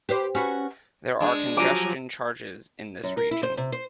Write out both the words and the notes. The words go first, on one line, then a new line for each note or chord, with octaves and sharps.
There are congestion charges in this region.
G4 B4 C5
C#4 F#4 B4
G#3 D4
F3 F#3 G4 G#5 A#5 D6
F#2
A#4
E4
C5
C3
C5